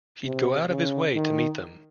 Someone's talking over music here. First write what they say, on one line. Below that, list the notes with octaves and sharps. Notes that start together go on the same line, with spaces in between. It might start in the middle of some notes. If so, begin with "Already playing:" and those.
He'd go out of his way to meet them.
C3
C#3
D#3